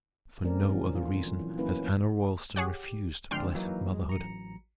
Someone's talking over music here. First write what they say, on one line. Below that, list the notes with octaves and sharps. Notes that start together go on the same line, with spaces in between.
For no other reason has Anna Roylston refused blessed motherhood.
A3 C4 C#4 A#4 D5
A#2 D3 E3 F3 C4
F4
F#3
E3 F#3
F#3 A#3 B3 C#4 E4 B4
G4 G#4 C#5 F#5
F2 G#2 D3 D5 G5 C6 F6
E3 F#3 A#3 D#4
G#3
A1 A#5 C#7